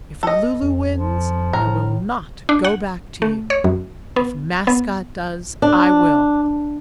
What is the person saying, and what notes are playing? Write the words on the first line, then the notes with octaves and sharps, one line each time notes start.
If 'Lu-Lu' wins I will not go back to you, if 'Mascot' does I will.
A4 D#5
F2
F3
A2 A#4
D4
F#5
A3
C#5
F#2
B3
B3
D4